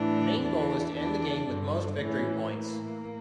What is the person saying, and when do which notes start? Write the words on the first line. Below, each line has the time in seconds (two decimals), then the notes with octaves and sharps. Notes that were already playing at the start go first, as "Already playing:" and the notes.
The main goal is to end the game with most Victory Points.
Already playing: A2 E3 D4
0.42 E2 E3 D4
0.95 E2 E3 D4
1.47 G2 D3
1.99 A2 E3 C#4
2.51 A2 E3 A#3